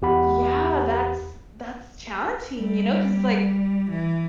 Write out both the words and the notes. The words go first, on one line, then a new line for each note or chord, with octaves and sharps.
Yeah! That's that's challenging, you know, 'cause it's like,
E2 G4 F#5 B5
G3
E3